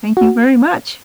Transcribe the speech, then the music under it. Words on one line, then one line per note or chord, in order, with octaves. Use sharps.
Thank you very much.
F#4